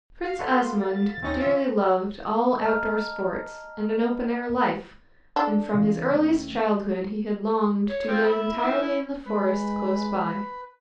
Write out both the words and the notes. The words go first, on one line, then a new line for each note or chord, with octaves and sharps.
Prince Asmund dearly loved all outdoor sports and an open-air life, and from his earliest childhood he had longed to live entirely in the forest close by.
F5
F#4 A4 B4 C6
A6
D#2 C4 C#4 D#4 C#5 A#6
F4 E5
D#5 A5 A#5 F6
D4 A4
C#3 E3
D#2 A3 C#4
C#5
F3 C4
E5 B5
D#3 E3 E5
E4
G#3 B4